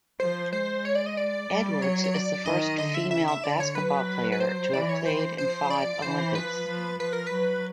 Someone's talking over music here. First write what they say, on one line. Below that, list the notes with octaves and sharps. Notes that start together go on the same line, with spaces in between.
Edwards is the first female basketball player to have played in five Olympics.
F3 C5
G#3 C5
C#5
D5
D#5
D5
G3
F#3 C#5
C#5
D5
D#3 D#5
D3 D#5
E5
C#3 E5
E5
D3 D5
C#5
F#3 B4
B4
C5
E3 D5
C#5
E3 C5
F3 C5
D5
E3 C5
F3 B4
F3
F3 B4
A#4
B4
F#3